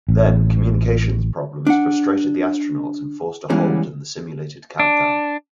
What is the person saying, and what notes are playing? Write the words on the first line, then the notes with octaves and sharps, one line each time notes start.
Then, communications problems frustrated the astronauts and forced a hold in the simulated countdown.
A1
D4 F#5
E2 E3 G3 G#3 C#4
D4